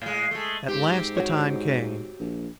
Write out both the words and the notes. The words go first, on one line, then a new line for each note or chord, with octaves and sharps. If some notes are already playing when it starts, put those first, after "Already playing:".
At last the time came.
A2 G#3
G#3 A3
G#2 C4 G4
F#4 C#5
A#1